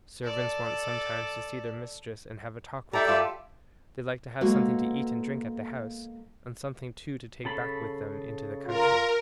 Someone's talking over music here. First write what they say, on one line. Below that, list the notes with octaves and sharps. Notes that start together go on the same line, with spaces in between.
Servants want sometimes to see their mistress and have a talk with her; they like to have something to eat and drink at the house, and something too to take back with them into the country.
A4 D5
E4 G4 A4 D5 A#5
F4 E5 D6
G#3 A#3 B3 F#4 A4 B4
C#3 A4 B5
F4 A#4